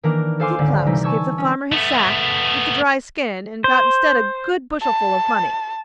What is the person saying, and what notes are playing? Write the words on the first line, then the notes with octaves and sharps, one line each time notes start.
Little Klaus gave the farmer his sack with the dry skin, and got instead a good bushelful of money.
D#3 E3 A#3 D4 A#4
A4 C5 F5 G#5 C6 D6
G#1 C#2 D3 D5
C3 E3 G3 D#4
G#5 A5 C#6 E6 G#6
C#4
A3 B3
C5
A5